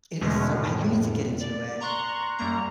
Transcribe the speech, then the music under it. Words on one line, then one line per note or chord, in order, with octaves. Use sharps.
It is, so you need to get into it.
E2 B2 D3 G#3 A3 C#4
F2 A2
D5
A#5 C6 C#6 F#6
F#2 G3 A#3 A#5